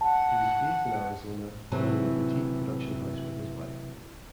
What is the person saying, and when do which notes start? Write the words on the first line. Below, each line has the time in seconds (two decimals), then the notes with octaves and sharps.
He was based in Arizona, running a boutique production house, with his wife.
0.01 F#5 A5
1.72 A2 C3 E3 F#3